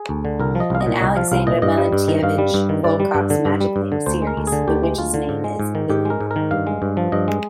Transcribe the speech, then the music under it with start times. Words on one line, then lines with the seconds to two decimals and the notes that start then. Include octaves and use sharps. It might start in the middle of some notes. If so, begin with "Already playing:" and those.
In Alexander Melentyevich Volkov's Magic Land series, the Witch's name is Villina.
Already playing: G#4
0.09 D2
0.25 D3
0.40 C2 A#4
0.55 F3
0.60 D#5
0.70 C2 F5
0.81 D#5
0.86 A#2
1.01 C2 D#5
1.16 F3 F5
1.31 C2 F5
1.47 A#2 D#5
1.62 G2 D#5
1.77 G3
1.92 G2
2.08 D#3
2.23 G2 F5
2.38 G3
2.54 G2
2.69 D#3
2.84 G2 D5
3.00 G3
3.15 G2
3.30 D3
3.45 G2
3.60 G3
3.76 G2
3.92 D3
4.06 D2 C5
4.22 G#3
4.27 A#4
4.37 D2
4.47 G#4
4.52 D3
4.68 D2 G4
4.83 G#3
4.98 D2 F4
5.14 D3
5.29 G#2
5.44 G#3
5.60 G#2
5.75 D#3
5.90 G#2 G4
6.05 G#3 A#4
6.20 G#2
6.31 A#4
6.36 D#3
6.51 G2 F5
6.67 G#3
6.82 G2
6.97 F3
7.12 G2 D#5
7.28 G#3